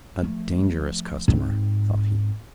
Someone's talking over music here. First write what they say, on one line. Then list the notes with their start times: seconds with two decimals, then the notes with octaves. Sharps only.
"A dangerous customer," thought he.
0.23 F3 A3
1.28 G#2 C4